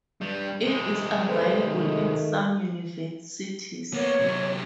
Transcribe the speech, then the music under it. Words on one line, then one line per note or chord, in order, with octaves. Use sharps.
It is available in some universities.
G2 G3
C3 G#3
A4 B4 C5
D#3 A3
A#3 B3 C#5
C3 F#3